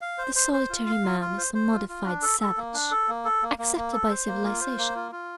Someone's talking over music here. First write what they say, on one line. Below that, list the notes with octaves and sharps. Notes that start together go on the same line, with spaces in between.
The solitary man is a modified savage, accepted by civilization.
F5
C5
C5
C5
F4
F5
F4
F4
C5
C5
F4
F4
D4
A4
A4
A#3
D4
A4
A#3
A4
A#3
A#3
A#3
A4
C5
A#3
F4
C5
A#3
F4
F4